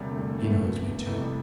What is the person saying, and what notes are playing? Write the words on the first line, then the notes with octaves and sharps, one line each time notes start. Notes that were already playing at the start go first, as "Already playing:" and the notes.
He knows me too.'
Already playing: E1 D2 C3 G3
A3
G3
A3
B3
A3
B3
F1 F2 C3 E3 A3
G3